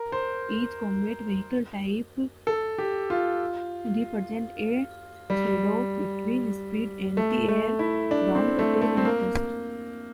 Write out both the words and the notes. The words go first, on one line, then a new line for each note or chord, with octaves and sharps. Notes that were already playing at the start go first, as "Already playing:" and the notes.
Each combat vehicle type represents a tradeoff between speed, anti-air, ground-attack, and cost.
Already playing: A#4
C5
A4
G4
F4
G3
A3
A3
E4
D4
C4
A3
A3
C4
A#3